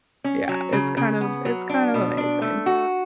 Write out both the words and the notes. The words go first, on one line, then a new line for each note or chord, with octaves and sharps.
Yeah, it's kind of it's kind of amazing,
C#4
F#3
C#3
C#3
B3
F#3
D4
B2
D4
A3
F#4